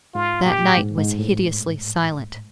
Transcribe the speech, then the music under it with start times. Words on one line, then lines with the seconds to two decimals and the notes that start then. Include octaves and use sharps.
That night was hideously silent.
0.15 G#2 F4
0.46 A#2 G4
0.62 A2
0.77 G#2
0.98 G#2
1.19 A2